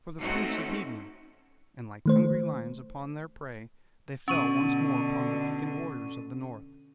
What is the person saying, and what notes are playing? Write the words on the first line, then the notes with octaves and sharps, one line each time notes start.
"For the Prince of Helium!" and, like hungry lions upon their prey, they fell once more upon the weakening warriors of the north.
A3 C4 C#4 D#4 F#4
D#3 A3 C5
B2 D3 C#4 C#6 D#7